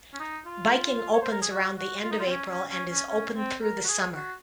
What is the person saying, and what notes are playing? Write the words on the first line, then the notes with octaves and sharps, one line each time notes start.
Biking opens around the end of April and is open through the summer.
C#4
D#4
F4
C#5
C5
A#4
G#4
F#4
F#4
F4
D#4
F4
C4
C#4
C#4
C#4
C#4
C#4
C4
A#4
F#4
G#4
F#4